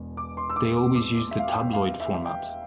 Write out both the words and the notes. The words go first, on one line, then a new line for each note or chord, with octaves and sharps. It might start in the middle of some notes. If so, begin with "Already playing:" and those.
They always use the tabloid format.
Already playing: E1 E2 B2
D6
C6
E6
D6
D6
D6
E5
F5
G5
F5
E5
G5